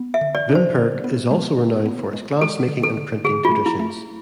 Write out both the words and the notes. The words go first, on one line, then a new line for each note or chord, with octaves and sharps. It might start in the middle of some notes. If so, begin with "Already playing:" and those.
Vimperk is also renowned for its glass-making and printing traditions.
Already playing: B3
E5
D3
D5
D4
C5
D3
B3
G#3
D3
B3
G#3
G#3 A4
D3
A4
D3
D3 G#4
F4
A3
E4
A3